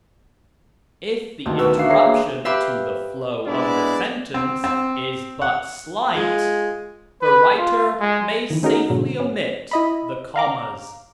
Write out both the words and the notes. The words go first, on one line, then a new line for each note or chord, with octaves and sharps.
If the interruption to the flow of the sentence is but slight, the writer may safely omit the commas.
D2 D#3 C5 A5
F#4 A#4 B4 E6
E3 D4 F#4 B4 D5 F5 C7
G#4 C#5 A#5 C7
A#3
G4 B4 E5 F5
G#3 B3 D4 E4 D5
C4
C4
F#5
G#3 F4
B4
F4
G#3
D#3 E3
A3 C#4 D#4 F#4 G#4 A#4
G#2 B2 D3 F#3
C#4
E4 D#5 B5
F5 A#5 D6